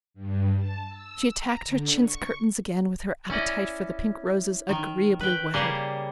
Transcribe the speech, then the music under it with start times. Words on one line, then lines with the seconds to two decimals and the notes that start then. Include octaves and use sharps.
She attacked her chintz curtains again with her appetite for the pink roses agreeably whetted.
0.14 G2
0.56 A5
0.88 E6
1.34 A#5
1.67 D3
2.00 C#6
3.30 C#4 E4 D5 D#5
4.69 D#3
5.21 B4 G5
5.54 C#3 G3 A#3 G4 G#4